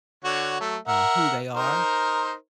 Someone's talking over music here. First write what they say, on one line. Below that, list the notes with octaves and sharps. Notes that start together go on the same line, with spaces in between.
uh, who they are,
D3 F#4 C#5
F#3 A3
A#4 E5 F#5
D#4 A#4 C5